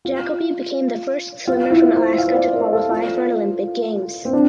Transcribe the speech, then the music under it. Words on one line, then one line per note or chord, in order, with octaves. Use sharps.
Jacoby became the first swimmer from Alaska to qualify for an Olympic Games.
F4
F4
E4
C5
F5
C5
D5
A#4
A4
F4
C4
D4